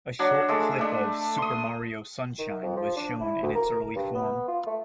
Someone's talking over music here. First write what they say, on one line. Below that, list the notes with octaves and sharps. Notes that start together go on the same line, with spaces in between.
A short clip of "Super Mario Sunshine" was shown in its early form.
F#3 D4
G#3 A3 A4
A3 D4
C6 D#6
D#3
F2
F3
D4
E4
D2
A#4
G2
B3
F4
A3